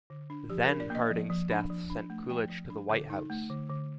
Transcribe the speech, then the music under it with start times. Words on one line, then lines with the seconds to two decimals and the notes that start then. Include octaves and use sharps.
Then Harding's death sent Coolidge to the White House.
0.10 D3
0.30 D4
0.50 F3 G4
0.64 D4 A#4
0.80 D5
0.90 A#3 D#5
1.10 F3
1.30 F3
1.50 D4
1.70 F3
1.90 D4
2.10 A3
2.30 F3 G5
2.50 F3
2.70 D4
2.89 D3 A4
3.10 D#4
3.30 A3
3.50 D3
3.70 D3